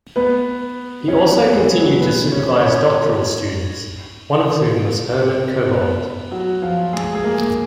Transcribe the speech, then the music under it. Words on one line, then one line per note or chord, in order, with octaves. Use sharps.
He also continued to supervise doctoral students, one of whom was Hermann Kobold.
B3 B4
C#4 C#5
B3 B4
G#3 G#4
F#3 F#4
B3 B4
C#4 C#5
C#4 C#5
B3 B4
F#3 F#4
F3 F4
G#3 G#4
G#4
A#3 A#4